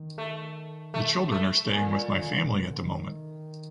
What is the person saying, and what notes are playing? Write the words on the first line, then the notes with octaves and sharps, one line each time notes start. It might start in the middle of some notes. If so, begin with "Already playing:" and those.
The children are staying with my family at the moment.
Already playing: D#3
A3
A3
A3
A#2
D3
D#3
D3
A#2
C3
D3
D#3